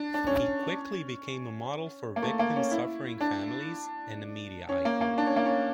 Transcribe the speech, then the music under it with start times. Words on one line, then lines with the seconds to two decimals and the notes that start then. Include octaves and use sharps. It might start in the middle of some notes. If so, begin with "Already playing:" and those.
He quickly became a model for victims' suffering families, and a media icon.
Already playing: D4
0.14 D4
0.27 C#4
2.16 A#3
2.22 A3
2.39 A#3
2.56 C#4
2.71 E4
3.21 D4
4.69 C#4
4.85 A#3
5.01 A#3
5.18 D4
5.26 C#4
5.36 A#3
5.46 C#4